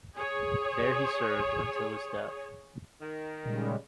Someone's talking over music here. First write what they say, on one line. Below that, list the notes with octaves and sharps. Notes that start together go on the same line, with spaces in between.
There he served until his death.
G#4 C#5
D#3
A#2 C#3 G3 G#3